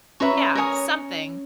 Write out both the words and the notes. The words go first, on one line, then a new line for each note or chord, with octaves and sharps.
Yeah, something,
C#4 B4 E5 A#5 C#6
A#4 C#5 G#5 D#6